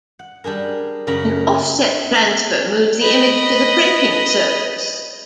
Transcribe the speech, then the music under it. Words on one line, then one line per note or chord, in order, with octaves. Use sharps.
An offset transfer moves the image to the printing surface.
F#5
G3 D4 G#4 A#4
F#2 C#3 A#4 A#5 B5
B4 D#5